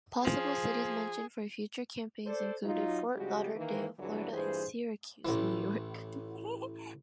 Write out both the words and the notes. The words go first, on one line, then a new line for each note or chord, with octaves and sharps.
Possible cities mentioned for future campaigns included Fort Lauderdale, Florida and Syracuse, New York.
F3 G#4
A4 C5 D5
F#3 D#4 F4
C#3 F3 G3 G#3 F#4 G4
D#3 E3 A#3
E2 G2 D3 E3 F#3 G3
G2 A#2 E3 G#4 C5
A1 E3